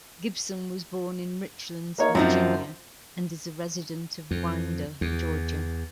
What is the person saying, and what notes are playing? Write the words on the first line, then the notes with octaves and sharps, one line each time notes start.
Gibson was born in Richlands, Virginia, and is a resident of Winder, Georgia.
A#3 D#4 C#5
F#2 F3 C4 D#4
F2
E2